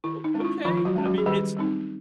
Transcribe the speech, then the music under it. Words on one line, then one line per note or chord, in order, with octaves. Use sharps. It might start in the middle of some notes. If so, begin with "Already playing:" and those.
o okay, I mean, it's,
D#3 E4
D#4
G#3 C#4
F4
E4
D#3 F3 F4
F4
F#3 F#4
G#3 C#4
F#3 F#4
G#4
D#3 G3 G4
G3 C4 D#4